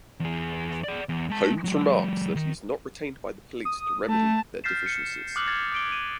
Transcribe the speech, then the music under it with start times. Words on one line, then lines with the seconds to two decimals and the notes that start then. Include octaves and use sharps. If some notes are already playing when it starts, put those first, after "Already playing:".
Holmes remarks that he is not retained by the police to remedy their deficiencies.
0.20 E2 G#4
0.84 G#4 D5
1.09 E2
1.30 G#3 A5
1.64 F#3 G#3
2.36 D#3
3.65 D#6
4.08 A3 A5
4.64 F6 G6 A6 B6 C7 E7
4.86 C#7
5.36 D6 D#6 F6 F#6 F#7
5.47 F6 G#6 A6
5.72 D6 D7 G7
5.92 D#7